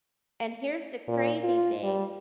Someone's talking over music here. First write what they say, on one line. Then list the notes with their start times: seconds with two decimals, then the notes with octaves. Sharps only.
and here's the crazy thing,
1.08 A#2
1.44 F4
1.83 G3